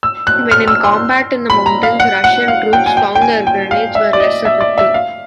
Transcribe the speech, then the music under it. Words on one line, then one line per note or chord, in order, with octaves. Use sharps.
When in combat in the mountains Russian troops found their grenades were less effective.
E6
F#6
F6
E6
C6
B5
A#5
F5
F#5
F#5
F5
G5
G#5
G5
G5
G#5
G5
F5
E5
D5
D#5
E5
D5
E5
F5